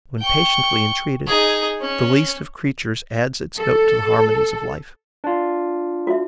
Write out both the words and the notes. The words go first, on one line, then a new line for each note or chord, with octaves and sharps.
When patiently entreated, the least of creatures adds its note to the harmonies of life.
G5 C#6
D#4 G#4
C#4
A4
D4 F4
F#4 E5